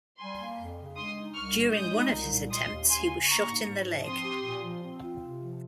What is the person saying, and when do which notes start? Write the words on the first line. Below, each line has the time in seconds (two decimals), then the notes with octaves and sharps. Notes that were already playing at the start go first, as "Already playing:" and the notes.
During one of his attempts he was shot in the leg.
0.19 G3 G#5 C6
0.39 A#3
0.58 F2
0.77 C#3
0.96 G#3 C6 D#6
1.16 D#4
1.35 C2 C#6 F6
1.55 A#2
1.74 G#3 D#6 G6
1.93 D#4
2.13 C2
2.32 A#2
2.51 G#3 C6 D#6
2.70 D#2
2.90 D#2 G#5 C6
3.09 C#3
3.28 A#3 A#5 C#6
3.48 G#2
3.67 G#2
3.86 F3
4.05 C4 C6 D#6
4.25 G4
4.44 A#2
4.64 F3
4.83 C4
5.02 F4
5.21 C3
5.41 F3